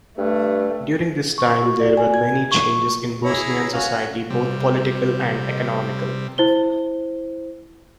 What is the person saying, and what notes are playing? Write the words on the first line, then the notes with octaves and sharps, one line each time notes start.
During this time there were many changes in Bosnian society, both political and economical.
G2 A3
C#6
F#4
D5
G#5
G#6
C#6
E4 G#4 C#5 A#5
C#4 F#4 F5
C3 G3
E4 C5 G7